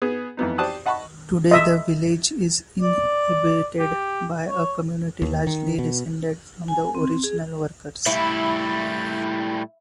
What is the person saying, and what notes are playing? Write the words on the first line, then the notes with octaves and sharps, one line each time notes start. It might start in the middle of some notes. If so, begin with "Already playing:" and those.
Today the village is inhabited by a community largely descended from the original workers.
B3 G#4
F2 E3 B3 D#4
G4 C5 D5 A5 D#6 F#6
D#5 F#5 A5 B5 C#6
D#5 E5
D5
G4
C#5
D#2
D#3
B2
G#5
C4
G#4
A2 G3 E4